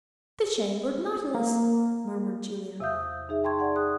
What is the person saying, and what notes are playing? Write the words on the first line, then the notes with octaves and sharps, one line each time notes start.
"The Chambered Nautilus," murmured Julia.
A#3
E2 C3 E5 F5 D#6 G6
D#4 G#4 E5
G5 A5 C6 C#6 G#6
D5 F#5 C6
G#4 D#6 F#6